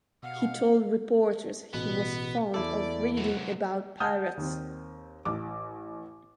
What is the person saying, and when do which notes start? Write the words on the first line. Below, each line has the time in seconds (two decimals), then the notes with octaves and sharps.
He told reporters he was fond of reading about pirates.
0.23 B2 F5 F#5
1.74 A1 B2 B3
2.54 E2 E4 A4 D5
3.17 C3 F#3
4.00 F#5 A5 D#6 F6 G6
4.37 D#2 C4
5.25 A1 D6